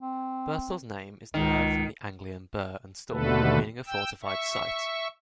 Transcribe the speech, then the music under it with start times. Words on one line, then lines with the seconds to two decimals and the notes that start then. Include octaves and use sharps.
Birstall's name is derived from the Anglian "burh" and "stall" meaning a fortified site.
0.01 C4
1.34 C#2 D#3
3.11 D#2 B2 D3 A3 A4 B4
3.87 G5 E6
4.23 E5 C#6